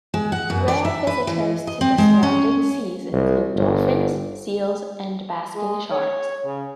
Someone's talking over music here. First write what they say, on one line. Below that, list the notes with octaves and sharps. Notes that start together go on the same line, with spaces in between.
Rare visitors to the surrounding seas include dolphins, seals and basking sharks.
G#3
F#5
F#2
D5
E5
B4
E3
D#5
C4
G#3
C#4
C2
G1
G#3
C#5
C#3